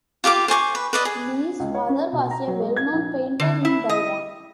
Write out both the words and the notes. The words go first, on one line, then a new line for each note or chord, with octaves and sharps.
Lee's father was a well-known painter in Taiwan.
F4 G4 F5 D6
C5 G#5 C#6 D6
B4
B4 D5 D#5
G#4
C#2
C#5
C#4
B2
A#5
F#3
G#3
G#6
A#1
D3
E4
D#5